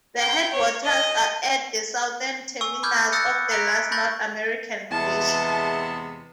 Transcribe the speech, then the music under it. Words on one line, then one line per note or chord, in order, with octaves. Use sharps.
The headwaters are at the southern terminus of the last North American glacier.
G5
C#5
D#5
G#5 C#6 E6
B5 D6 F6 G6 G#6
D#6 E6 F#6 A6 A#6 C#7
A#5 F#6 A#6 B6 D7
B5 C#6 G6 A6 A#6
E2 C3 G#3 B3 E5 A5